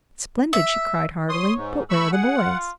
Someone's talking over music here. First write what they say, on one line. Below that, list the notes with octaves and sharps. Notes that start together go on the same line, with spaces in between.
"Splendid," she cried heartily; "but where are the boys?"
E5
C#5 C6 D#6
G#2
A3 B5 C#6 E6
G#4 F#5
F4